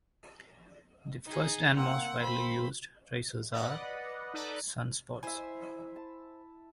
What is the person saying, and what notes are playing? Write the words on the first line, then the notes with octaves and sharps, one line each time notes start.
The first and most widely used tracers are sunspots.
D#4 G#4
A#3 C4 F#5
C5 B5
B4 D5 D#5 F#5
D#4 A4 B4 D5
E4 C5 E5 G#5
A5